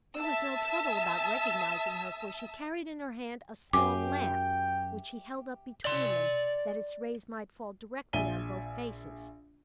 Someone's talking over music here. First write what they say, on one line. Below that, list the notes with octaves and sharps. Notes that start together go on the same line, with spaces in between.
There was no trouble about recognising her, for she carried in her hand a small lamp, which she held up between them, that its rays might fall directly on both faces.
E5 A5 E6
F#2 F#3 G4 G#4 E5 G5 D6
D5 C6
A#1 E5 G#5 D#7 G7